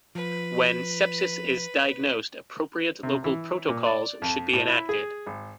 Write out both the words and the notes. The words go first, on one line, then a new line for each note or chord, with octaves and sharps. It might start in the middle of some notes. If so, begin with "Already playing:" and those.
When sepsis is diagnosed, appropriate local protocols should be enacted.
F3 B4
C3
E3
A#2
D5
F2
A2
E4
G#4
G#1